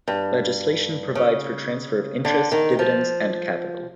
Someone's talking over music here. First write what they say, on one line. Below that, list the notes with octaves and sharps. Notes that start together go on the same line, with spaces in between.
Legislation provides for transfer of interest, dividends, and capital.
G2
C#3
D3
D#3
F3